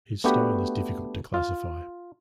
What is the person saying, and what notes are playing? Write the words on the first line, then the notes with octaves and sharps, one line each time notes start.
His style is difficult to classify.
A3 B3 D4 F#4 G4 B4
F4